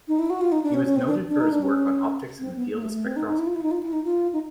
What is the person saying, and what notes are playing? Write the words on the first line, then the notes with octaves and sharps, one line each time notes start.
He was noted for his work on optics and the field of spectroscopy.
D#4
E4
F#4
F4
D#4
D4
C#4
C#4
C4
D4
D4
D#4
D4
C#4
C4
B3
A#3
A3
A3
C4
D#4
D#4
E4
F4
E4
D#4
F4
E4
D#4
F4
D#4